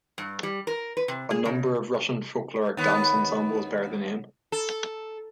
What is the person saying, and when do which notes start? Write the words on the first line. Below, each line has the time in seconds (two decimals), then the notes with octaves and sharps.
A number of Russian folkloric dance ensembles bear the name.
0.18 G2
0.43 G3
0.67 A#4
0.97 B4
1.08 C3
1.31 G#4
1.45 C#3
2.77 D#2 B3
4.52 A4